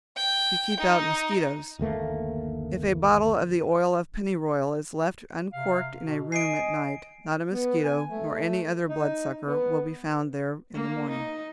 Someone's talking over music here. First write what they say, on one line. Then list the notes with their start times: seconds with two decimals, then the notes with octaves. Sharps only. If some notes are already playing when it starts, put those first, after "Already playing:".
To Keep Out Mosquitoes.--If a bottle of the oil of pennyroyal is left uncorked in a room at night, not a mosquito, nor any other blood-sucker, will be found there in the morning.
0.17 G5
0.80 D#4
1.79 G1 D#2 A3 A#3
5.53 C3 F5
5.98 B2
6.32 D#5 G#5 C7 D7
7.52 B3
7.84 G#5
8.10 A3
8.89 D#4
9.47 B3
10.74 A#3
11.10 D#4